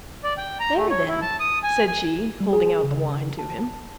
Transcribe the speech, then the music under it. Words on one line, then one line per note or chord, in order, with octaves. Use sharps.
"There, then," said she, holding out the wine to him.
D5
G5
A#5
A3
C#5
E4
A5
D#6
G#5
G#5
G3
G#4
C#3
A5